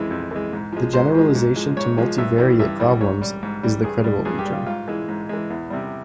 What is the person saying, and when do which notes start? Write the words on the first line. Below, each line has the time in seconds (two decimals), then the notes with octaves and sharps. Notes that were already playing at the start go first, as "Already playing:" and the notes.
The generalisation to multivariate problems is the credible region.
Already playing: F2 E3 G#3 E4
0.11 F2
0.31 E3 G#3
0.53 G#2
0.72 F3 G#3
0.93 G#2 C5
1.14 F3 G#3
1.35 G#2
1.56 F3 G#3
1.77 G#2 C#5
1.98 F3 G#3
2.18 G2 E5
2.38 E3 G3
2.59 G2 E5
2.80 E3 G3
3.00 G#2 C#5
3.21 G3
3.43 G#2
3.63 G3
3.84 G2 G#4
4.04 G3
4.25 G2 G#4
4.39 G4
4.46 G3
4.53 F4
4.66 G#2 F4
4.88 E3 G#3
5.08 G#2
5.29 E3 G#3
5.50 E2
5.70 C3 G3